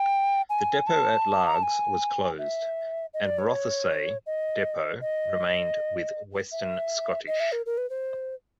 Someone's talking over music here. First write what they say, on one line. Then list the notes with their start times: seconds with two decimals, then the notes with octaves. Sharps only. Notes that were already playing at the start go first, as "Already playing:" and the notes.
The depot at Largs was closed, and Rothesay depot remained with Western Scottish.
Already playing: G5
0.50 G#5
0.87 A5
1.47 A#5
1.55 A5
1.63 G#5
2.38 E5
3.14 D#5
3.25 D5
3.38 C#5
4.26 D#5
5.01 D#5
6.52 E5
7.27 D#5
7.40 E5
7.52 A#4
7.66 A#4
7.77 B4
7.90 C5